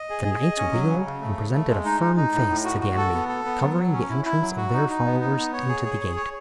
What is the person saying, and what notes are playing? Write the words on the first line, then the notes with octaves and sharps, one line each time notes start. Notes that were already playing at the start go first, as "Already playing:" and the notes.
The knights wheeled and presented a firm face to the enemy, covering the entrance of their followers into the gate.
Already playing: D#5
G#4
G#4
D#5
C#4
F#3
C#3
C#3
A3
C#3
A3
G#3
D#4
D#4
D#4
A2
A2
F#4
F#4
A4
B3
A4
B3
F#3
F#3
C#4
E4
E4
F#3
F#4
D#4
D#4
B3
D#4
B3
C#5
G#4
G#4
C#5
C#5